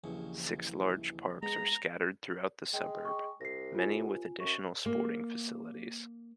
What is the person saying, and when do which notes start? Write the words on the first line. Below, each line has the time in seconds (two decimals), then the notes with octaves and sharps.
Six large parks are scattered throughout the suburb, many with additional sporting facilities.
0.04 A#1 D#2 C#3 E3
1.43 G#3 B3 A#5
2.74 G#3 G5
3.05 G5 C#6
3.41 C2 A#6 C7
3.75 F4 G#5
4.40 F#2 C#6
4.86 A#3